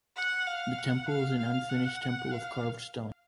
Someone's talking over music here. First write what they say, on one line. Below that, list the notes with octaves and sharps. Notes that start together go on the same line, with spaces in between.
The Temple is an unfinished temple of carved stone.
F#5
F5
F#5
F5
F5
F#5
F5